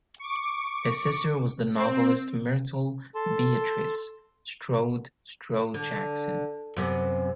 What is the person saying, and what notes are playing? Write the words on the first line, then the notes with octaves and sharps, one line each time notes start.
His sister was the novelist Myrtle Beatrice Strode Strode-Jackson.
C#6 D6
C4
A4 A5 C6
D3
F#2 C3 B3